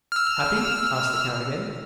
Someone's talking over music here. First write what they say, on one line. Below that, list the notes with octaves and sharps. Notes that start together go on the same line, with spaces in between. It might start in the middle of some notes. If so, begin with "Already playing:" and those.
"Happy?" asked the count again.
E6 F6